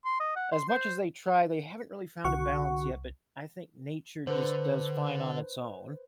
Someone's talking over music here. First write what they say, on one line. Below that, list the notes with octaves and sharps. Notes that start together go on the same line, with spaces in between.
as much as they try, they haven't really found a balance yet, but I think nature just does fine on its own.
C6
D#5
F#5
C6
C5
C2 D3 F#4 F#5 C#6
D3 B4 C5